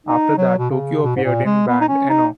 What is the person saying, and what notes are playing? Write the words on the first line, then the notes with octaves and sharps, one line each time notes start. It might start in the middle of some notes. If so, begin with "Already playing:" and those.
After that Toko appeared in the band Enon.
D#4
F#3
B2
C#3
B2
G#2
A#2
G#3
B3
D#4
C#4
D#4